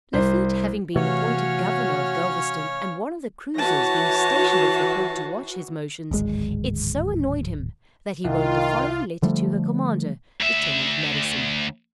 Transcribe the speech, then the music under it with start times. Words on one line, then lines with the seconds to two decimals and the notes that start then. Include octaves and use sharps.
Lafitte having been appointed governor of Galvezton and one of the cruisers being stationed off the port to watch his motions, it so annoyed him that he wrote the following letter to her commander, Lieutenant Madison.
0.13 C2 C5
0.96 C3 E3 A3 C#4 F#4 C#5 F5
3.57 E3 F#4 C#5 A5 A#6
6.11 D1 G#1 G#3
8.24 C2 D#3 F4
9.22 D3 F3 G3 A3
10.41 D2 E5